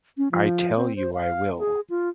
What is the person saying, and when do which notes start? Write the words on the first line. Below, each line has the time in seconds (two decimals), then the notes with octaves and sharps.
I tell you I will.
0.18 C#4
0.32 F3
0.76 C4
0.96 C5
1.14 F5
1.59 G#4
1.90 F4